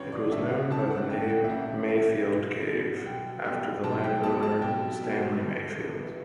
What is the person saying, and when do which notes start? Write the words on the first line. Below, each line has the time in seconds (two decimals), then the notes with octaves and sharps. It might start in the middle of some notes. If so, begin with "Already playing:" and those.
It was known by the name Mayfield Cave, after the landowner, Stanley Mayfield.
Already playing: A1 G2 D3 B4 C#5
0.12 D5
0.32 G2 D3 E5
0.51 F#5
0.70 A1 A5
0.90 F#5
1.10 G2 D3 G5
1.22 F#5
1.29 G5
1.44 E5
1.49 A1 F#5
1.88 G2 D3 E5
2.27 B1
2.66 B2 G3
2.97 F#5
3.06 B1 G5
3.44 B2 G3 G5
3.84 B1 A5
4.04 G5
4.23 B2 G3 A5
4.43 A5
4.62 B1 G5
5.01 B2 G3
5.40 G1
5.80 G2 E3 B3